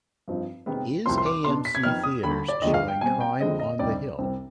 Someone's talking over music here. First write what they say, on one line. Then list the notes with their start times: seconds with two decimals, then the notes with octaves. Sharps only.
Is AMC Theaters showing Crime on the Hill?
0.28 G2 F3 C4 D#4
0.66 C3 D#3 G#3 B3
1.06 C2 C3 F3 C6
1.18 C6
1.26 D6
1.44 B2 B3 D4 C6
1.65 B6
1.75 G#6
1.83 F2 D#3 B3 D#4 F6
2.04 D#6
2.23 D#2 D3 G3 B5
2.48 D5
2.62 D#2 D3 F3 G#3 D#5
2.74 F5
2.88 G5
3.01 B2 G3 C4 G#5
3.20 G5
3.40 F2 D3 G#3 C4 D#5
3.60 D#5
3.79 D2 C3 G3 C4 D#4 D5
4.18 C2 C3 G3 C4